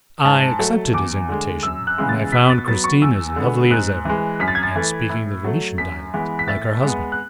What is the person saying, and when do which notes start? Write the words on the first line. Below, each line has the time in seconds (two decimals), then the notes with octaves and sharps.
I accepted his invitation, and I found Christine as lovely as ever, and speaking the Venetian dialect like her husband.
0.25 G#2 A5
0.59 F#3 A3
0.94 E2 D6
1.29 D3 G#3
1.63 F#2 E6
1.87 F#6
1.98 C#3 E3 G#3 B3
2.09 A6
2.32 B2 B6
2.50 A6
2.68 F#3 B3 A6
2.84 C#6
3.02 E2 E6
3.36 D3 G#3 B3
3.71 G#2 F#6
4.05 E3 G#3
4.40 F#2 B6
4.48 A6
4.55 G#6
4.63 A6
4.76 E3 A3
5.09 A2
5.45 F#3 A3
5.78 F#2 B6
6.14 E3 G#3 B3
6.39 B6
6.48 A2 A6
6.83 G#3 B3
7.12 F#6